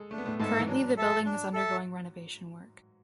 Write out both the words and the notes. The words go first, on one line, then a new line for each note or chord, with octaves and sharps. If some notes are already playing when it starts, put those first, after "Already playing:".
Currently the building is undergoing renovation work.
Already playing: G#3 G#4 A4
A3 D4
B3
A2 A3
G#2 G#3 A4 E5 A5
E3
F#3 D4
A4 E5 A5
D4
A4 E5 A5